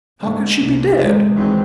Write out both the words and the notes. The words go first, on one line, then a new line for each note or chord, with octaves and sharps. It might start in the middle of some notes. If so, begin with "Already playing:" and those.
"How can she be dead?"
G#2 D3
C2
C3 G#3
D2 D#3 E3 F#3 G#3 C4